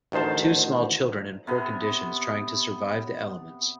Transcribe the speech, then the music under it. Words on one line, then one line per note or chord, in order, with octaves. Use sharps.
Two small children in poor conditions trying to survive the elements.
A1 D2 D#3 C5 A5
C3 B3